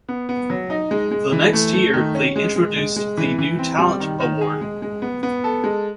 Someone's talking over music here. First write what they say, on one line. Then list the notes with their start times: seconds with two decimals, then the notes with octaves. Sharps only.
The next year, they introduced the new talent award.
0.09 B3
0.29 B3
0.50 F#3
0.70 D#4
0.91 G#3
1.11 G#3
1.32 E3
1.53 A3
1.73 A3
1.94 D#3
2.15 C#4
2.36 G#3
2.56 G#3
2.76 G#3
2.96 G#3
3.17 E3
3.39 E3
3.59 C4
3.78 G3
4.00 D#3
4.20 D#3
4.41 G#4
4.61 G#3
4.82 G#3
5.02 B3
5.23 B3
5.44 A4
5.64 G#3